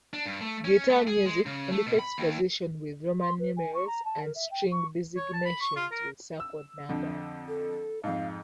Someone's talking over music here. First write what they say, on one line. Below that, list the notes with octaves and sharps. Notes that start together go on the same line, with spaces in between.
Guitar music indicates position with Roman numerals and string designations with circled numbers.
D4
G2
A3
C#4
A3
G#4
G#3
C#3
A3
B2
B5
D#2
C6
B4
G#5
C#6
A#5
A5
A#4
E5
G5
C#6
C#5
A5
B5
C#6
F4
A#4
E6
F2 D3
A4
F2 G#2 F5